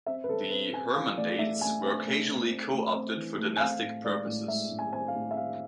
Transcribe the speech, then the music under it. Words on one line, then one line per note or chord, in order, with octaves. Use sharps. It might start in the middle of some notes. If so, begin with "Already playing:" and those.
The "hermandades" were occasionally co-opted for dynastic purposes.
C4 E5
B4
C4 A4
C4 B4
C4 G#5
E3 F5
A3 D5
A3 E5
A3 G#5
C4
A3
C4
C4
A3
C4
E3
A3
G#5
C4 F5
A2
G#3 D5
A2
G#3 E5
A2
G#5
C4 G#5
F5
A2
E5
C4 F5